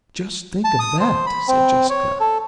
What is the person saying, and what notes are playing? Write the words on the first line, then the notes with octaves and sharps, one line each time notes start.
"Just think of that!" said Jessica.
A5
D#6
C5
B5
C4
C#5
A4